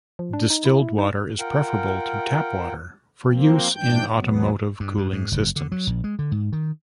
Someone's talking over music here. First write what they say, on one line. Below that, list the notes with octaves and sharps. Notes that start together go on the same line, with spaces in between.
Distilled water is preferable to tap water for use in automotive cooling systems.
F3
D4
D#4
E4
D#4
F4 A#4 F#5 G5
F3 A#3 C4
G#2 E3 D4 G5 G6
D#2 B2 F#3 B3
G2
G2
G#2
F#1
D3
F#3
A#1
G#3
D3
G#2
D#3